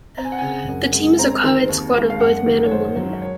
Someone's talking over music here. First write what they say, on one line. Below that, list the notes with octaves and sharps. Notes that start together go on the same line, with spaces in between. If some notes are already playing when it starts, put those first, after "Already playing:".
The team is a coed squad of both men and women.
C4 A#5
G#5
F#5
C#3 G#5
F#2
G#3
C4 A#5
D#3
D#2
G#3
F5
F#2 F#5
D#3
C#5
F#2 C5
F#3
C#5